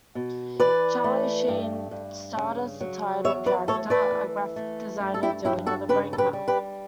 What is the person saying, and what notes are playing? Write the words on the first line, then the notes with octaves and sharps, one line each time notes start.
Charlie Sheen starred as the title character, a graphic designer dealing with a break-up.
B2
E3 B4 D5
A3
G2
G2
C#3
F#3
E2 C#5 E5
B4 D5
A3 A4 C#5
B4 D5
E3
A3
G2
A4
E4 G4
G2 E4 G4
F#4 A4
C#3 G4 B4
A4
G4 B4
G3
G4 B4